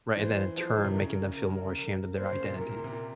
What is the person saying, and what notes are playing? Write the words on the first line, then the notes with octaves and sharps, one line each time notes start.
right, and then in turn, making them feel more ashamed of their identity.
E3 C5
F3 C5
C3
C#3 A#4
A#3 C5
C#3
A#2
C3
A#2 A#4
C3
A#2
C3
A#2